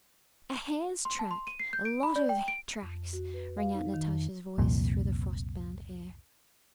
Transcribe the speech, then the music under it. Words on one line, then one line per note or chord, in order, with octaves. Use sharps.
"A hare's track, a lot of tracks!" rang out Natasha's voice through the frost-bound air.
C6
A5
C6
D#7
C7
G6
D7
B5
D5
G5
D7
F2
F#4
B4
F5
D#4
D#3
F2
C2 F2 A#2